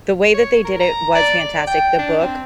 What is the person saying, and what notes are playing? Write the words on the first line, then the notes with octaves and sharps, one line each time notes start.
the way that they did it was fantastic. The book
C#5
A#4
A#5
D5
D5
G5
D4
C4